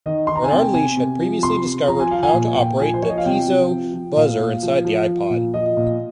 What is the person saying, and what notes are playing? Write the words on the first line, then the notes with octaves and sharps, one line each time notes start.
Bernard Leach had previously discovered how to operate the piezo buzzer inside the iPod.
D#3 D#5
D#3 C6
A#5
G#5
C3 G5
C3 G#5
C3
F3
C3 C6
C3
F3 A#5
G#5
F3 F5
G#5
A#2
A#2 G5
F3 G#5
C5
F3 C#5
D#5
F5
C3 G5
C3
F3
F3
A#2 F5
A#2
F3
F3
F3
A#2
F3 D#5
A#2